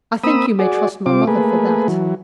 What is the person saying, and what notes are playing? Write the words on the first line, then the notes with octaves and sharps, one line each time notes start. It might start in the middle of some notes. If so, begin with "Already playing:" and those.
'I think you may trust my mother for that.'
A#3 C4 B5 D#6 E6
F#4 G#4 D5
C3 C4 F4 D6
A3 A#3 G#4 B4
E3 F#3